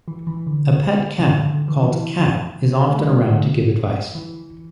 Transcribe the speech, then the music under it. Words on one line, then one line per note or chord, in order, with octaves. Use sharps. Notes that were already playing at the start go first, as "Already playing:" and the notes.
A pet cat called Cat is often around to give advice.
E3
E3
D3
C#3
D3
D3
D3
E3
E3
A3
G3
D3
E3